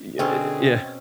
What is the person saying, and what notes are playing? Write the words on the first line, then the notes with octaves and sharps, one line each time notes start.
ye yeah,
B2 D3 C4 C#4 G#4 E5 G5